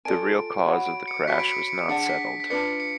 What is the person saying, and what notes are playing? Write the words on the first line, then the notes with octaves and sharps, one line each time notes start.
The real cause of the crash was not settled.
F4 A4 D5 G#5 D7
F#4 C#5 F#5 B5
D7
C#7
F#4 C#5 G#5 B5 B6
D7
C#7
C#7
D4 G#4 D5 F#5 C#7
B6
B6
D4 F4 B4 D5 C#7
C#7